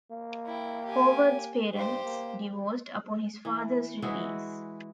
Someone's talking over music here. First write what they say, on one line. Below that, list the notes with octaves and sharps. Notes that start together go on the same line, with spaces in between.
Howard's parents divorced upon his father's release.
A#3
E4 G5
G4 G#5
G2 G4 C5
A#3
E3
E3 G#3 E4 F#4